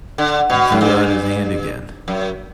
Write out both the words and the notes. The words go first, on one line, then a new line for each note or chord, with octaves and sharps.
He drew out his hand again.
D3
B2
F#2
G2
F#2